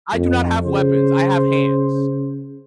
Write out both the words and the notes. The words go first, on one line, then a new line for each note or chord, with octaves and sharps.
I do not have weapons, I have hands."
F2
C#3 C5